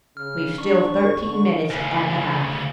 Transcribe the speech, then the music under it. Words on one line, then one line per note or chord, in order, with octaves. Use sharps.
"We've still thirteen minutes and a half."
C#3 F6
D4 C#6
D3
D2 C#3